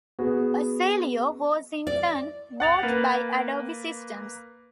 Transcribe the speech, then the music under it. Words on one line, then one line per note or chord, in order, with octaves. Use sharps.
Accelio was in turn bought by Adobe Systems.
B3 F#4 G#4
D5
F#5 A6 F7
A#3 B4